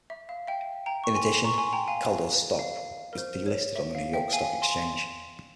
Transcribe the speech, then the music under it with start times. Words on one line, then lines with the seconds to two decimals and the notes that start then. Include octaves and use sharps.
In addition, Caldor's stock was delisted on the New York Stock Exchange.
0.10 E5
0.29 F5
0.47 E5 G5
0.86 G5 A#5
1.04 C#6
1.15 G#5 C6
1.44 A#5 C#6
1.58 G#5 C6
1.73 G5 A#5
1.88 F5 G#5
2.59 F5
3.13 A#4
3.18 C5
3.46 C#5
3.75 E5
3.95 F5
4.14 E5 G5
4.33 F5 G#5
4.62 G#5 C6